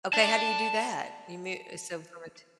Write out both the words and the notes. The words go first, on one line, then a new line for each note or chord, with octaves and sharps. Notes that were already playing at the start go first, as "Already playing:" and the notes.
Okay. How do you do that? You mute eh, so from a t
D5 A5